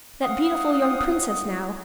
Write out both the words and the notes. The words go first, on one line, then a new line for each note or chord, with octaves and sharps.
That beautiful young princess, now!
F5 F#5 D#6